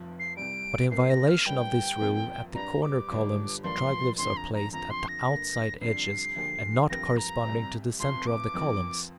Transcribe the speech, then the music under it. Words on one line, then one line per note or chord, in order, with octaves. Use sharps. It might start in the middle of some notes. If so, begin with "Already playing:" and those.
But in violation of this rule, at the corner columns triglyphs are placed at the outside edges and not corresponding to the centre of the columns.
Already playing: F1 F2 C3 F3
C7
C2 C3 G3 D7
C2 C3 A#3 C7
A#6
F6
G1 G2 G3 A#3 G5
F2 C3 F3 A#3
G2 G3 D4 A#5
D6
G1 G2 D3 G3
G2 F3 A#3 D4 F4 C6
F1 F2 D3 C6
A#5
A#5
F2 D3 F3 A#5
C6
A#6
G2 D3 A#3
F2 D3 G3 C7
D2 D3 F3 A#3 G4
G2 F3 C4 G4 A#4 A#6
A#5
C2 C3 G3 C4
F1 F2 C3 C6
D6
F2 F3 C4 A#4